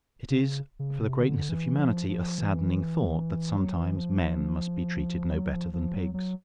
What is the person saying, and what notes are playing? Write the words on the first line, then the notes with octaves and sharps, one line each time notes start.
It is, for the greatness of humanity, a saddening thought, that sometimes men must be treated no better than pigs.
C#3
C#3
C3
D3
E3
F3
F3
E3
F#3
E3
F3
F#3
F3
F3
F#3
F#3